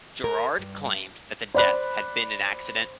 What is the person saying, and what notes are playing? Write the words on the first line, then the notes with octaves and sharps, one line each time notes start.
Girard claimed that the death had been an accident.
A#4
G2
C5 D5 B5 F#6